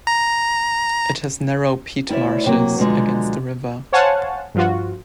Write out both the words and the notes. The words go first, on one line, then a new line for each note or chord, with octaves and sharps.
It has narrow peat marshes against the river.
A#5
D2 E4 C#5 D5 E5
C3 F#3 A#3
B2 D3 F3 F#3 G#3
C5 C#5 F5 F#5 G#5 A5
G2 F3 F4 F#4